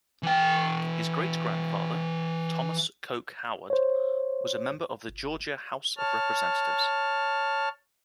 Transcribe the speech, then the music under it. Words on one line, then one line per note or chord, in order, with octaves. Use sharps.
His great-grandfather, Thomas Coke Howard, was a member of the Georgia House of Representatives.
E3 G5
C5 C#5
G1
C#5 A5 F6